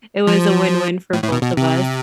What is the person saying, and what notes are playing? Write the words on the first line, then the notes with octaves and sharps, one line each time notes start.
It was a win-win for both of us.
F3
A2
A2
B2
B2
C3